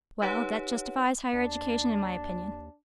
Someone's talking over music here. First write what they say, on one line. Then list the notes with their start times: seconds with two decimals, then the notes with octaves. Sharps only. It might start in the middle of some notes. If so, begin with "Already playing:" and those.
Well, that justifies higher education in my opinion.
0.22 D#4 G4 B4 C#5 F#5
1.33 D#2 D4